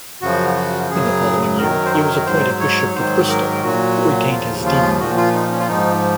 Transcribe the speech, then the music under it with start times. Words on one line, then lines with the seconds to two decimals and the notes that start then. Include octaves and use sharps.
In the following year he was appointed bishop of Bristol, but retained his deanery.
0.22 F#2 C#3 F3 F#4
0.55 F#4
0.91 F#2 C#3 F#3 G#4
1.58 F#2 D#3 F#3 A#4
1.85 C5
1.93 A#4
2.26 G#2 F#3 C5
2.60 C#5
2.95 G#2 D#3 F#3 C5
3.29 A#4
3.63 A#2 F#3 F#4
4.31 D#2 C#3 F3 F4
4.65 F4
5.00 A#2 F3 F#4
5.17 F4
5.33 D#4
5.51 C#4
5.59 F4
5.68 G#2 F3 D#4